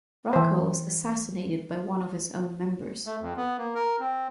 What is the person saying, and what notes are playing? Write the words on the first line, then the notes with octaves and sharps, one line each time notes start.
Rockwell was assassinated by one of his own members.
E3 C5
A3
F2
B3
A#3
A#4
C4